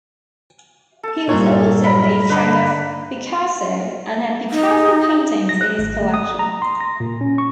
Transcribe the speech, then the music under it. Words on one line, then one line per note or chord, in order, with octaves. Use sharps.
He was also a friend of Picasso and had Picasso paintings in his collection.
A4 A5
G2 A#2 C#5
A#4 B5
D3 D4 D#4 B4
D#4
A#6
F#6
G#1
A3
D#6
A#5
C6
A#6
A#2
C#4
C#6